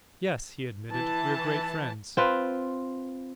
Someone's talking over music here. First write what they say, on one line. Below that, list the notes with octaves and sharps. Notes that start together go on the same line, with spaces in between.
"Yes," he admitted, "we're great friends."
E3 A5
C4 F4 B4